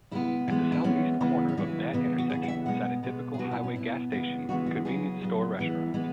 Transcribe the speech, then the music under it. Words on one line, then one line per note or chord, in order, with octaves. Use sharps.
At the southeast corner of that intersection sat a typical highway gas station-convenience store-restaurant.
C#3 G#3 B3 E4
E3 G#3 B3
E4
E3 G#3 B3 C#4
C#3 E3 G#3 B3
C#4
C#3 E3 G#3 B3 E4
C#3 E3 B3
F#4
C#3 E3 B3 G#4
F#5
E5
B2 G#3 B3 F#5
B2 G#3 B3
G#4
B2 B3 F#4
E4
C#4
B2 B3 E4
C#3 E3 G#3 B3
C#3 E3 G#3 B3 F#4
F#4
C#3 F#3 B3 G#4
C#3 F#3 B3
E3 G#3 B3
E3 G#3 B3